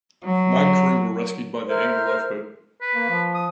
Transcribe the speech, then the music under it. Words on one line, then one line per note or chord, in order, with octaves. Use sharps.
Nine crew were rescued by the Angle Lifeboat.
F#3
A#4 C5 E5 F6
B4
A#3
F3
D#6